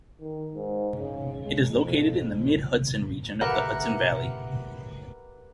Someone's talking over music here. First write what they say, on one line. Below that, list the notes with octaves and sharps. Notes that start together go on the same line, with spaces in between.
It is located in the Mid-Hudson Region of the Hudson Valley.
D#3
G#2
C#3
G#3
F2
G4 A#4 B4 E5 F#5